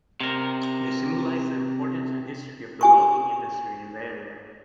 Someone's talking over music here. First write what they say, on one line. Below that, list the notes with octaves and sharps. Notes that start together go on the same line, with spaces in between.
They symbolize the importance and history of the logging industry in the area.
C3 A#4
G4 G#5 C#6